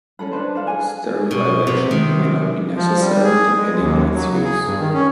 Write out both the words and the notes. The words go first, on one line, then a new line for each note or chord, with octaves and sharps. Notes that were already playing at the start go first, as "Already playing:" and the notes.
Sterilization may not be necessary depending on its use.
C#4 D4 A4 B5
D4 D#4 B4 C5
D4 A4 F5
G#4 G#5
B2
C3
D#3
F3
G3
G#4
G#3
D#2
F#3
C#3
G#4
G2
D#3
C#4